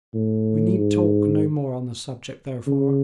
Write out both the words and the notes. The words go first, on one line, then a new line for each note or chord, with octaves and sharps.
We need talk no more on the subject, therefore.
A2
G#2
C#3